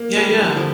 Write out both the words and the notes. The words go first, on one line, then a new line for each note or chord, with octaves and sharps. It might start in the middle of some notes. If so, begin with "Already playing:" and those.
Yeah, yeah.
Already playing: A#3
G3
D3
F3